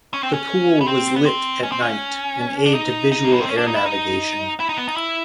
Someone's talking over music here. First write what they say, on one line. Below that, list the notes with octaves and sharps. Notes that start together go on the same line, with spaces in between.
The pool was lit at night - an aid to visual air navigation.
C#4
C4
C#4
B3
C4
B3
C4
C#4
C4
C#4
D4
D#4
D#4
A#3
B3
C4
C#4
D4
D#4
E4
D#4
E4
D#4
B3
D#4
E4